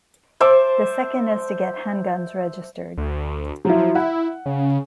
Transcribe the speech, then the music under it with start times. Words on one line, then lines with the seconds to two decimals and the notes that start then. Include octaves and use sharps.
The second is to get handguns registered.
0.40 C5 E5 A5 D6
2.97 D2
3.65 F3 F#3 E4
3.95 E4 F#5
4.46 C#3